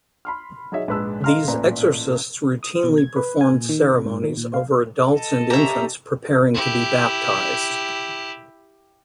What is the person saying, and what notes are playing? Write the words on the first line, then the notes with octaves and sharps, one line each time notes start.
These exorcists routinely performed ceremonies over adults and infants preparing to be baptised.
B5 C6 F6
F#3 D#4 G#4 C#5 E5
A#1 G#2 G#4 B4 A5 E6
A4 D#5 F5 A#5 C6 F6
A1 A#2 B4 A#5
D#6
B2
G#6
B4
G#5
A#2
D#3
C3
G#2
D#3
A#2
F5
A4 D#5
C#4 G4 E5 A#5
E4 G4